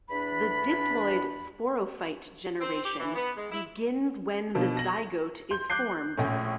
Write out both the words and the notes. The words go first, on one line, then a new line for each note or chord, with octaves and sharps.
The diploid sporophyte generation begins when the zygote is formed.
E2 D4 B5
C4
G4
E3
B3
G#3
E4
B2 D3 F3 A#3
A#6 F#7
C6 G6
D6 F#6 G6 C7
A#1 A2 A3 C#4